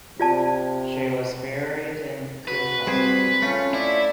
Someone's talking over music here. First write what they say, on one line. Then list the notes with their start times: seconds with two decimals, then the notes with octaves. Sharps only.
She was buried in Kufa.
0.20 C3 F4 D5 A5
2.48 F#4 B4
2.87 G3 C4 G#4 C5
3.42 A3 C#4 F4
3.74 E4 D5